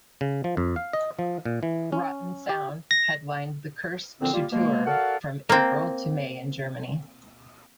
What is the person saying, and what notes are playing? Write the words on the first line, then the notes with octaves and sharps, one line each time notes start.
Rotten Sound headlined the "Cursed to Tour" from April to May in Germany.
C#3
F3
F2
F5
D#5
F3
A#2
E3
C#4
G4
A#6
D2 A#2 D3 F3 C4
G3 A#3 F4
B2 G#3 A#3
F#4 A4 A#4 D5 F5 F#5
A#3 C4